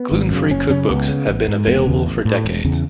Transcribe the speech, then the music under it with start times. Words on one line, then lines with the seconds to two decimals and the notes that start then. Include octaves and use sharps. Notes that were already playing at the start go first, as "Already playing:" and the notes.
Gluten-free cookbooks have been available for decades.
Already playing: B3
0.12 G#1
0.31 F#2 C#3
0.50 F#1 C#4
0.69 F#2 C#3 C#4
0.89 C#2 B3
1.08 C#3
1.28 A1
1.48 G#2
1.68 E1 B3
1.87 E2 C#3
2.06 A1
2.25 A2
2.45 E1
2.65 E2 C#3